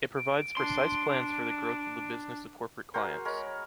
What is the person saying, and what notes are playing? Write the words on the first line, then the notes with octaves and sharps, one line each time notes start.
It provides precise plans for the growth of the business of corporate clients.
D7
D4 C6
F#4 G#4 A#4 C5
G#3 A#4 C#5 B5